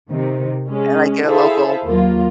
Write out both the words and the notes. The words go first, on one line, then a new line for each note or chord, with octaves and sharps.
uh, like, at a local
C3 D#3
G#3 C#4
E4 G#4 A4 C5 E5 F5
D#2 F#3 A#3 F4